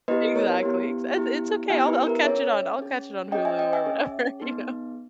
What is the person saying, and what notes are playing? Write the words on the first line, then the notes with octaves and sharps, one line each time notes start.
Exactly, ex "It it's okay, I'll I'll catch it on I'll catch it on Hulu or” “whatever," you know.
B3 E4 G4 B4 D#5
A#4 C#5
B3 E4 G4
B3 E4 G4
B3 E4 G4 E5 G#5
B4
A#4
C#4 G#4 C#5 E5
C#4 G#4
C#4 G#4 D#5 G5
E5 G#5
D#5 G5
E5 G#5
C#4 G#4
B3 D#4 G#4